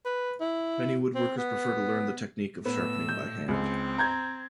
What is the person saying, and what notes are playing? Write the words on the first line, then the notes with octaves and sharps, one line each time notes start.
Many woodworkers prefer to learn the technique of sharpening by hand.
B4
E4
C4
B3
A2 B3 E6
G6
C#2 C4
A#5 G6 G#6